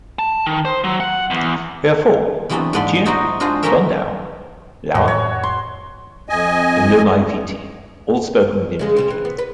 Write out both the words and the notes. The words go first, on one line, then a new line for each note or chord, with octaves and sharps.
They are four: Fijian, Gone Dau, Lauan and Lomaiviti all spoken within Fiji.
A5
D#3
C5
F#3
F#5
E2
E3 F#3 A3 B3 C4 D4
G#2 B3 A4 B4 D5 C6
D#4 E4 F#4 C5 D5 D#5
D4 F4 F#4 G#4 C5
F#3 C#4 D#4 A4 A#4 E5
F2 A2 F#4
C#5
C6
F2 D#5 G#5
C#3 G#3 G#4
C#3 C4
E3
B3
B4